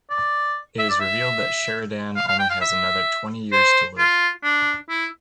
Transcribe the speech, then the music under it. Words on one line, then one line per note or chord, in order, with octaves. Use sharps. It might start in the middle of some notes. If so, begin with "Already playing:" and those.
It is revealed that Sheridan only has another twenty years to live.
D5
E5
D5
E5
F5
F5
G5
F5
E5
C5
F4
D4
E4